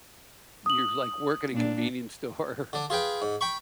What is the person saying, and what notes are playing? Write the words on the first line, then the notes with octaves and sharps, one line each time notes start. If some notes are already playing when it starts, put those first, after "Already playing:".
you, like, work in a convenience store,
D#6 F#7
A#2 D4
D3 D4
F4 G#4 B4 G5
G#2
G5 B5 C#6